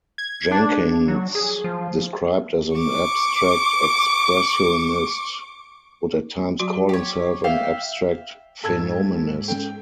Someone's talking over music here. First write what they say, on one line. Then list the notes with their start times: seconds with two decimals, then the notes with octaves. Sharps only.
Jenkins, described as an abstract expressionist, would at times call himself an abstract phenomenist.
0.18 G#6
0.51 D4
1.08 F#3
1.35 G#4
1.64 F3
2.77 C#6 D6
6.59 F#3 F#4 C6
6.89 G4 C#5
7.44 E5 F5 G5
8.64 G#2 A4 A5 E6 G#6
9.48 C#4 A4 G5